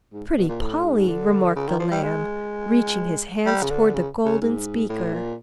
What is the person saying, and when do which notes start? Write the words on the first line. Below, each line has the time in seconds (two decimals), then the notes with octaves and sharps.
'Pretty Polly!' remarked the Lamb, reaching his hands towards the golden speaker.
0.13 G#2
0.37 B2
0.48 A#2
0.60 A2
0.84 G#2
1.08 D3
1.56 C#3
1.68 D#3
1.80 F3
1.91 G3
2.03 G#3
3.46 G3
3.63 C#3
3.70 D3
3.94 C#3
4.25 C#3
4.41 G#2
4.89 A2
5.13 A#2